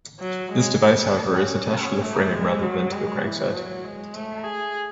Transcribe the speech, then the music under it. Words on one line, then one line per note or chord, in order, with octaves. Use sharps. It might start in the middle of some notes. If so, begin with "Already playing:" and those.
This device, however, is attached to the frame rather than to the crankset.
F#3
G#3
C#4
C#4
A3
G#3
F#3
G#3
E3
F#3
G#3
A3
G#4